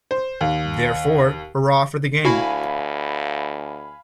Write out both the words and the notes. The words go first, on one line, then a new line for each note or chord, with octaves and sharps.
Therefore, hurrah for the game.
C5
D#2
D2 E4 F#4 F5 G#5 B5